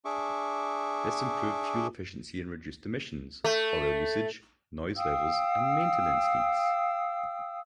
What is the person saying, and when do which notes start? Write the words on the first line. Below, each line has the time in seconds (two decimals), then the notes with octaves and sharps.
This improved fuel efficiency and reduced emissions, oil usage, noise levels, and maintenance needs.
0.05 D4 G#4 E5 C#6 D6
3.44 A3
4.97 F5 G5 D#6 E6